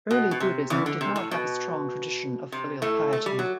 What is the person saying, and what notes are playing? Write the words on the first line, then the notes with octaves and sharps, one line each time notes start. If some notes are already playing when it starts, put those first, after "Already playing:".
Early Buddhism did not have a strong tradition of filial piety.
B2
B2
C3
E2 E3
D3
C3
A2
B2
C3
A2 A3
A3
G3
F#3